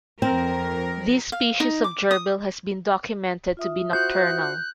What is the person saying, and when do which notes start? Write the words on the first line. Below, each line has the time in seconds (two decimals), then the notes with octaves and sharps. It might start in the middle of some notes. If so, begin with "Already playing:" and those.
This species of gerbil has been documented to be nocturnal.
0.22 F2 C4 A#4
1.32 F5
1.60 D#4
1.84 D6
2.11 D#6
3.57 F4 E5 D#6
3.93 F#4 C5 F#6 G6